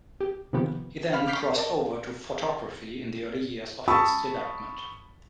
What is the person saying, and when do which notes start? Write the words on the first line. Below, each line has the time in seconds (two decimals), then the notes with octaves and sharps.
He then crossed over to photography in the early years of its development.
0.21 G4
0.53 C3 D#3 F3 B3 G4
1.13 F5 B5 F6
1.27 D6 F6 G6 B6 C7
1.55 A#4 D5 D#5 A5
3.88 A5 B5 C#6 D#6 E6